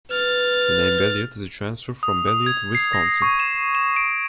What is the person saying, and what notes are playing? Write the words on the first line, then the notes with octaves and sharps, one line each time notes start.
The name Beloit is a transfer from Beloit, Wisconsin.
B4 F6 A6
D#6
D#6
G#6
C7
A#6
C#6
E7
E7
D7